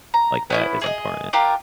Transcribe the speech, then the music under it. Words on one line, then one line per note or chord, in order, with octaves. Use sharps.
like that is important.
A#5
B3 C#4 E4
G#4 D5 D#5
D4 F4 G4 A#4